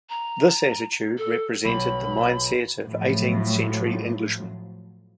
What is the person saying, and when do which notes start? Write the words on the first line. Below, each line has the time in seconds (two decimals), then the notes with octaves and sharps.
This attitude represented the mindset of eighteenth-century Englishmen.
0.10 A#5
1.18 A4
1.65 B1 B5
2.86 A2 F3 F#3